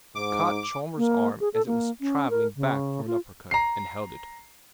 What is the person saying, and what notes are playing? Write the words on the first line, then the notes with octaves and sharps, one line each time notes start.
He caught Chalmers' arm as it was traveling back for an uppercut, and held it.
G#2 D6
A#3
G#4
A4
A#3
C#4
A#4
C#3
F4
A#5 C7